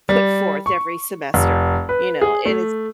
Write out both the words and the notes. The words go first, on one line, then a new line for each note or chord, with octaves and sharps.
put forth every semester, you know? And it's
G3
C#6
F1
B4
G#4
A3